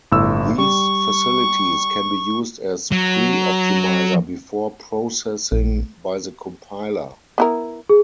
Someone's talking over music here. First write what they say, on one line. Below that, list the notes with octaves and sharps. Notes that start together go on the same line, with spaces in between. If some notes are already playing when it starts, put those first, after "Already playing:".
These facilities can be used as pre-optimizer before processing by the compiler.
G1 A2 E6
G3 C#6
F#3
A#1
B3 E4 A#4
G#4